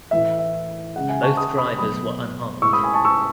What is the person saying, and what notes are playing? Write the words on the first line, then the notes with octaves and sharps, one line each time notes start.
Both drivers were unharmed.
A2 E3 A3 E5
E5
C#3 G#3 F#5
E5 G#5
A5 C#6
B5 D#6
B5 D#6
B2 F#3 A3 B5 D#6
A2 G#3 C#6 E6
B5 D#6
G#5 B5
A5 C#6
C#6 E6